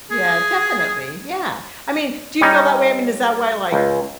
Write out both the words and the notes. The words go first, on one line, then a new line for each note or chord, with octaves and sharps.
Yeah, definitely, yeah. I mean, do you feel that way? I mean, is that why, like,
G#4
G3 C#4 D#4
C#2